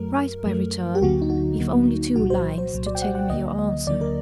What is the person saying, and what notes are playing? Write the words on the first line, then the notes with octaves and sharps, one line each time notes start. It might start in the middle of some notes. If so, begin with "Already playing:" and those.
Write by return, if only two lines, to tell me your answer.
Already playing: F#2 F#3 A3 A#4
F#2 F#3 A3
G4
D2 D3 F#3 A#3 F#4
D#4
F#4
D2 D3 F#3 A#3
C2 A#2 F#3 F#4
C5
C5
C2 A#2 F#3
D5
G5
F#5
F#5
D2 D3 F#3 A#3 D#5
D#5
D2 D3 F#3 A#3 D5
A#4